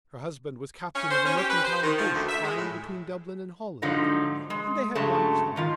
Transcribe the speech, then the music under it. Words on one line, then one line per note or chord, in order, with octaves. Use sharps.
Her husband was captain of a mercantile boat plying between Dublin and Holland; and they had one child.
C#4
C5
C#4
G4
B4
C5
D#3
F3
D2
E5
G#3
A2
G#2 D3 F3 F#3 D#4
G#3
G2 C#3 F#3 G#3 A3 A5
G#2 D#3 F4